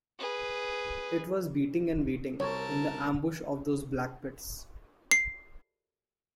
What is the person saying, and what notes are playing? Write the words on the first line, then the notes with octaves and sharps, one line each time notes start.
It was beating and waiting in the ambush of those black pits.
G#4 B4
C2 A#4 C#5 A5
C7